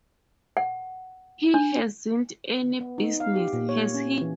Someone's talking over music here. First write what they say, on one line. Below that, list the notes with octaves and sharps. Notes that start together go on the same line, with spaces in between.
He hasn't any business, has he?
F#5
D4
B3
D#4
F5
G4
A#2
C#5
C#4
E3